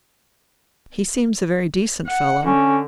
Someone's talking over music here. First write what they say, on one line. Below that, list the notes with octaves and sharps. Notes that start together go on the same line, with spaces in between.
"He seems a very decent fellow."
F#5
D3 C#4